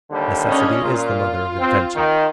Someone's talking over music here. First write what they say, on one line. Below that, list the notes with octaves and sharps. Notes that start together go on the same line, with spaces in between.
Necessity is the mother of invention.
D#2 D3 G3
C#4 D4 D#5
A#2 F4
C4
D#3